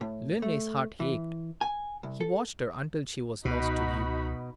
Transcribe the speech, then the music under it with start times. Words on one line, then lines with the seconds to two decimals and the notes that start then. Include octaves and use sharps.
Linley's heart ached; he watched her until she was lost to view.
0.01 A2
0.42 A3
1.00 E3
1.61 G#5
2.03 C2
2.21 A4
3.45 C#2 B2 D#4 F#4 B5